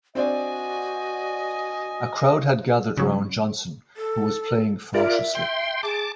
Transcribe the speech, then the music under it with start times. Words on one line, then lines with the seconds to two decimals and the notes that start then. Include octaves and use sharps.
A crowd had gathered around Johnson, who was playing ferociously.
0.15 C4 D4 F#4 D5 D#5 G#5
2.97 C#3 F#3
3.97 A4
4.94 F4 A#4 D5 E5
5.35 G5 C6
5.83 G#4 A5 D6